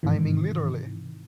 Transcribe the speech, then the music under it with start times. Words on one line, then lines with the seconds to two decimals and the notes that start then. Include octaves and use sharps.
I mean literally.
0.03 G#2 C3 D#3 E3